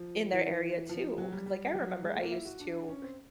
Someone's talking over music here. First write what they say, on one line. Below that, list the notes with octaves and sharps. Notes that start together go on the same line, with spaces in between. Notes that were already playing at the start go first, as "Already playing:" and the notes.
in their area too, 'cause, like, I remember I used to
Already playing: F3
E3
E3
F3
F#3
G3
G3
F#3
G#3
A3
A#3
E4
F#4
D4
C#4
C4